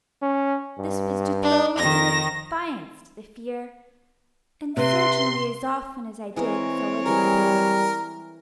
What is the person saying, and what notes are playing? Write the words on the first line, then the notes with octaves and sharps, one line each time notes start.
This was to throw a sort of defiance to the fear; and certainly as often as I did so it abated.
C#4
G2
D4
F2 D#3 A#6
C3 B4 E5 C6
E3 G#3 C4 A#4 C#5
E3 G3 G#4 A#4